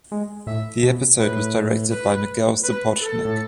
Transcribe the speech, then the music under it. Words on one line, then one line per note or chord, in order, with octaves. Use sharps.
The episode was directed by Miguel Sapochnik.
G#3
A2 E5
B2
A2 B4
B4
B4
A4
A2